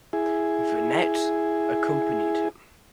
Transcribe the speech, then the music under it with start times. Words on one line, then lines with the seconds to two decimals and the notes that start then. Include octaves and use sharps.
Vernet accompanied him.
0.13 E4 G#4